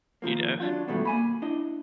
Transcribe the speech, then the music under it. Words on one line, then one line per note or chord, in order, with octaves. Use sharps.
you know?
D#2 G#2 F3 A#3
F#3 D4 F4
G#2 B2 D#3 F#3 G3 A3
A#3 G#5 B5
D4 E4 D#5